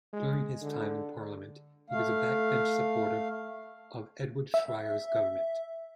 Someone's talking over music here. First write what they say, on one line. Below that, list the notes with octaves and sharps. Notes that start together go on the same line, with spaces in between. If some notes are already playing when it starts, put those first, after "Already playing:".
During his time in parliament, he was a backbench supporter of Edward Schreyer's government.
G#3
D3
A3 F5
E5